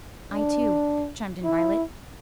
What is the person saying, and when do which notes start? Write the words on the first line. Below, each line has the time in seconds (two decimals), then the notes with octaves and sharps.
"I too," chimed in Violet.
0.32 D4
1.44 E4